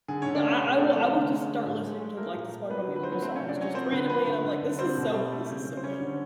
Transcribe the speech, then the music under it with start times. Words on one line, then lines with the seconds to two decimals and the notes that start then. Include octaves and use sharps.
No, I I will I will just start listening to, like, the SpongeBob Musical songs, just randomly, and I'm like, "This is so this is so good.
0.08 D3 G#4
0.22 D3 C#4 C#5
0.35 D4 D5
0.43 A3 C#4 C#5
0.60 C3 G#4
0.78 C3 A3 A4
0.95 E3 A3 A4
1.13 D3
1.31 G#3
1.48 D3
1.65 A2
1.83 G#3
2.00 G#3
2.17 A3 A#3 A#4
2.35 A#2
2.53 A3
2.69 F#3 B3 B4
2.88 D3
2.96 B4
3.03 F#3 C5
3.12 B3 B4
3.22 A3 C4 C5
3.35 C3 C#4 C#5
3.48 D4 D5
3.57 F#3 C#4 C#5
3.74 F3 C4 C5
3.92 D3 B3 B4
4.09 F3 B3 B4
4.27 D3
4.45 D3
4.62 D3
4.79 G3 C4 C5
4.97 B2
5.14 G3
5.32 A3
5.49 C#3
5.66 C#3
5.77 C5
5.84 G3 C#4 C#5
6.01 D3